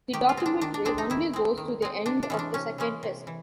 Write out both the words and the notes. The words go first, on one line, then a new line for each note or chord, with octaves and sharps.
The documentary only goes to the end of the second test.
D#3 G4
F4
G#3 C4
D4
D#3 D4
D4
G#3 C4 D4
D#4
D#3 E4
G#3 C4
D#3
G#3 C4
C3 D4
D4
E3 G#3 C#4
D4
C3 C#4
E3 G#3 C#4
C3
E3